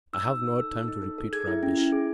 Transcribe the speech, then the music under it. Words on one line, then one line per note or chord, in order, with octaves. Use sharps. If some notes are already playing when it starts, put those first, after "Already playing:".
I have no time to repeat rubbish.
D#4 E6
D#4
D#4
A4
D#4
D#4
A4
A4
G#4 G#6
E4
C#4
E4
G#4